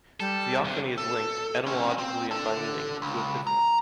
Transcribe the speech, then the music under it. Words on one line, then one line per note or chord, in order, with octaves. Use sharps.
Theophany is linked, etymologically and by meaning, to epiphany.
G3 A4
B1 D3
A4
C4 C#4
C4
D4 A4
C#2
A#5